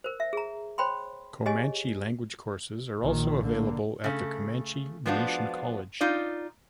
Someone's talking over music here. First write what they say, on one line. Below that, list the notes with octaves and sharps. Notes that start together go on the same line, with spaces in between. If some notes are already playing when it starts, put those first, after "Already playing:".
Comanche language courses are also available at the Comanche Nation College.
A#4 C5
E5
G#4 A#5
C5 C#5 G5 B5 C6
G4 G#4 C#5 D#5 G#5
A#1 A#2 D#3
D3 A#3
C#3 A3
F3 G#3 B3 D4 F4 F#4
D#4 F4 D5